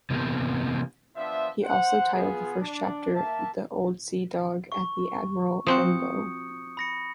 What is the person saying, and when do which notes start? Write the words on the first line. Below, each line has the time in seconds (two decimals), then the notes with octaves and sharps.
He also titled the first chapter "The Old Sea Dog at the Admiral Benbow".
0.10 C3 E3 A#3 B3 G4
1.16 F3 B3 D4 C5 E5
1.64 C5 F#5
2.14 B3 F4 G#4
2.61 D4
3.15 A#3 E5 A5
4.72 C#6
5.67 F3 C4 F#4 D#6 G6 C#7
6.77 B5 A#6 C#7